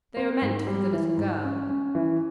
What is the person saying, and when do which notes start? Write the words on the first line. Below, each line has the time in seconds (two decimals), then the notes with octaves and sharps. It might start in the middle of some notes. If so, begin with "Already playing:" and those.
They were meant for the little girl.
0.17 C4
0.42 G#2
0.67 G3
0.93 E3
1.18 G#2
1.44 C#4
1.69 C#4
1.95 E3